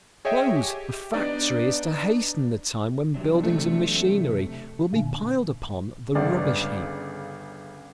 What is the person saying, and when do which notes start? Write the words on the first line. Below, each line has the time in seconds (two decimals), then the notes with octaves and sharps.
To close a factory is to hasten the time when buildings and machinery will be piled upon the rubbish heap.
0.25 G#4 C#5 D#5 E5 G5 G#5
0.56 G4
1.14 B3 D4 D#4 D5
3.14 E2 C3 F#3 D4
3.43 A3
4.93 A#2 D3
6.15 G1 C#3 D5